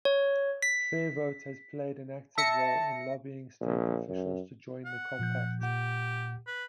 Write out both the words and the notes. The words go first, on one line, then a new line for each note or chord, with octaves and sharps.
FairVote has played an active role in lobbying state officials to join the compact.
C#5
B6
E5 A5 A#6 C#7
A#1
F#2
F#5
A#2 F3 G6
A#2 G4 F#5
B4